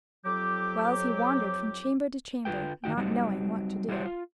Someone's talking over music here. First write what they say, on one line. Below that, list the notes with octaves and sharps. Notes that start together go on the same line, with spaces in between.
Whiles he wandered from chamber to chamber, not knowing what to do.
F2 F#3 G4 D6
D3 F4 G4 B4 G5
D#3 D#4 F#4 G5
F#3 G3 C4 D#4 F#4
G3 E4 F#4 G4 C5 C#5
F4